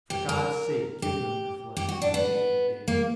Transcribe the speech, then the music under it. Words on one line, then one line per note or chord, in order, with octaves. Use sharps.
For God's sake give them their flag, our Naval Brigade!
G4
A#4
G4
G4
F#4
D4
B3
A#3